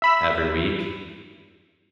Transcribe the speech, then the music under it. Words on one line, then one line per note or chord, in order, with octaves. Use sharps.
every week,
E5 B5 E6